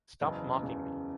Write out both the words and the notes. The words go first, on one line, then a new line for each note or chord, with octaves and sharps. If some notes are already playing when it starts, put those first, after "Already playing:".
Stop mocking me.
F#1 E2 C#3
F#1 E2 C#3